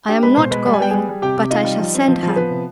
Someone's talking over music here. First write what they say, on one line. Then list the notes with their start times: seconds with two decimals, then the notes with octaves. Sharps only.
"I am not going, but I shall send her."
0.08 D4 G4 G5
0.23 G#3 B4 B5
0.37 B2 C5 C6
0.51 G#3 B4 B5
0.66 G3 B5
0.74 G#5
0.80 B3 G5
0.91 G3 G#4 G#5
1.09 G3
1.22 C3 G4 G5
1.37 C3
1.51 D#4 F4 D#5
1.65 G3
1.80 F3
1.94 C4
2.08 F3
2.23 F3
2.28 G#4
2.36 F3 B3 B4
2.50 C3